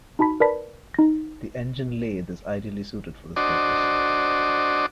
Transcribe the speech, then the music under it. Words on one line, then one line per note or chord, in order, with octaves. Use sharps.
The engine lathe is ideally suited for this purpose.
D#4 F#4 A5 B5 B6
A#4 B4 D5 A5 B5 B6
D#4 A#6
D4 F#4 C5 D5 D#5